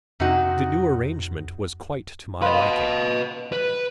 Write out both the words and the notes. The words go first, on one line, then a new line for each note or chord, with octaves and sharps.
The new arrangement was quite to my liking.
F2 C3 D#4 F#4
B4 D#5 F5 B5 C6
B4